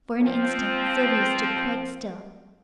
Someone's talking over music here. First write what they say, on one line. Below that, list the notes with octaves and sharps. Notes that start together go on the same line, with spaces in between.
For an instant Sylvia stood quite still.
F3 C4